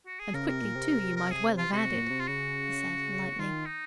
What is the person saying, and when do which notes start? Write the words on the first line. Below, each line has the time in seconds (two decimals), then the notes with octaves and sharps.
"And quickly, too, you might well have added," he said, lightly.
0.07 F#4
0.20 G#4
0.34 C#3 A#4
0.48 C3 A#4
0.61 A#2
0.75 C3
1.17 A#4
1.31 G#4
1.58 F4
1.72 C3 F#4
1.91 A#2
2.10 C3
2.20 F4
2.27 C#3 F#4
3.39 D#3 F4
3.66 D#4